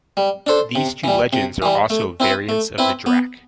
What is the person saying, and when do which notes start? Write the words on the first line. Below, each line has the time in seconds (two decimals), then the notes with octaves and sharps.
These two legends are also variants of the drac.
0.17 G3
0.47 D4 A4 C5
0.75 C3
1.04 E3 G3
1.33 C3
1.62 E3 G3
1.90 A3
2.20 C4 E4 B4
2.49 A3
2.78 C4 E4 B4
3.06 B3